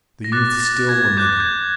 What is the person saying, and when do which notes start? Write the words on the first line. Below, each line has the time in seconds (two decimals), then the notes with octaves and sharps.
The youth still lamented.
0.24 A#6
0.32 D6 F#6 A6
0.60 A6
0.89 G#6
1.17 D6 F#6 G6
1.30 G#6
1.40 G6